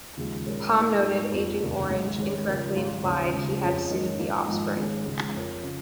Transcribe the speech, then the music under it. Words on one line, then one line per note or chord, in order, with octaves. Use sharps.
Palm noted "Aging Orange" incorrectly implied he had sued The Offspring.
D#2 C#3 F3 G#3
A#2 G#3 C#4 A#4
A#2 A#3 D#4
G#2 G#3 D#4 A#4
F2 F3 A#3
F1 D#2 C#3 A#3
G#1 G#2 G#3 D#4
D#3 G#3 C#4
C#2 C#3 F3 C#4 A#4
G#1 G#2 G#3 F4
D#2 C#3 F3 C#4 F4
C#2 C#3 F3
F2 F3 C#4 G#4 C#5
G#2 D#3 C#4 A#4 D#5
G#2 F3 A#3
G#1 G#2 F3 A#3 D#4
G#1 G#2 G#3 C#4 G#4
C#2 C#3 G#3
F2 F3 C#4 A#4
C#3 F3